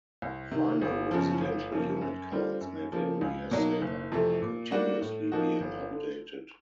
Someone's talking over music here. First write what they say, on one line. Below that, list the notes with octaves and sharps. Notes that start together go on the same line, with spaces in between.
Final residential unit counts may vary as they are continuously being updated.
C2
C3 D#3
G1
F#2 C#3 F3
G1
F#2 C#3 F3 A#3
F#2
D3 G3 C4 F4
F#2
C#3 F3 A#3
C#2
B2 F#3 A#3 D#4
F#1
F2 C3 E3 A3
A#2
G3 A#3 D4 F#4
A2
F3 A#3 D#4 F#4
G1
D3